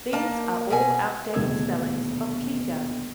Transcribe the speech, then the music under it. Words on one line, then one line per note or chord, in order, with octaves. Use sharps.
These are all outdated spellings of Kiga.
A#3 A5
B2 G#5
D#1 D2 B2 G#4 E6 G#6